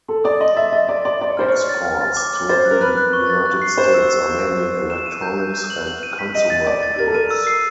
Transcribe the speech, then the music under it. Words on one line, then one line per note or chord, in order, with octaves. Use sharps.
Exports to the United States are mainly electronics and consumer goods.
A4 C6
D5 D#6
D#5 C6
E5 A6
D#5 A6
D5 A6
D5 C6
D5 A6
C#5
C5 F6
C#5
F6
A6
F6
A6
D6
D6
C5 A6
F#6
A#4
B4 F#6
F#6
C#6
A6
F#6
C7
C5 E7
E6
E6
E7
E6
E6
C7
E7
D#7
G6
G6
G6
F#7
F#7
D#7
B6
D#5 D#7
A6
D5 A6
A6
A#4 A6
A4
A#4 D#7
E6
C7